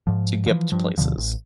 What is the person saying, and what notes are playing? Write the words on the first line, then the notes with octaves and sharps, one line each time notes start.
to get to places.
G#2 F3
E3 F3
G2 F3
D2 B2 D3 F3
A1